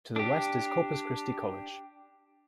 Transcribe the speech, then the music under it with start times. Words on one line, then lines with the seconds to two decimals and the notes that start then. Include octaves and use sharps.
To the west is Corpus Christi College.
0.16 D4 G4